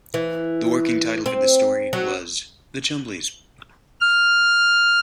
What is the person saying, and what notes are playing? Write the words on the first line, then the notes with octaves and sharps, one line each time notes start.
The working title for this story was "The Chumblies".
E3
C4
F#3
F6